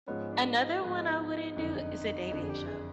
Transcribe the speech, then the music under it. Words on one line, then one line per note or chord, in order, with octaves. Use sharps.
Another one I wouldn't do is a dating show.
G#2 F3 G#3 B3 C#4
D4
D#4
G#2 F3 G#3 B3
F#1 F2 D3
F#1 F2 D3
G#4
G4
G#4